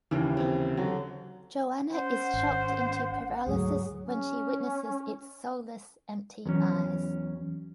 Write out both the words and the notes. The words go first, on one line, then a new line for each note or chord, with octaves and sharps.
Joanna is shocked into paralysis when she witnesses its soulless, empty eyes.
D#2 C#3 E3 G3 C#5
C3 C#4
D3 F#3
C#4 C5 F#5
G#1
D2 G#2 F#3 A3 G#4
C#4
E2 F#3 C#4